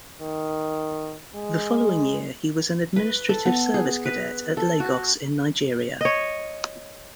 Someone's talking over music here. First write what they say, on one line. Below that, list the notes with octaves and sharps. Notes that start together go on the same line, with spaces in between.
The following year he was an administrative service cadet at Lagos in Nigeria.
D#3
G#3
B4
A4
B3
G#4
B4
A4
F#4
C#5 D#5